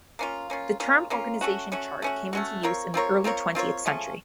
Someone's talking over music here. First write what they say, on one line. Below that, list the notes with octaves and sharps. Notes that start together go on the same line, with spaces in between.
The term "organization chart" came into use in the early twentieth century.
A#3 C#4 F4
A#3 C#4 F4
A#3 C#4 F4
A#3 C#4 F4
A3 C#4 F#4
A3 C#4 F#4
A3 C#4 F#4
A3 C#4 F#4
C4 F4 A#4 C#5
C4 F4 A#4 C#5
C4 F4 A#4 C#5
C4 F4 A#4 C#5
C#3 F3 A3 C#4